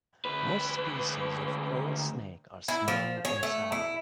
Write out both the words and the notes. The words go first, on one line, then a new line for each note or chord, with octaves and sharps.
Most species of coral snake are small in size.
D2 B4
E4
F3
C#5
A3
E4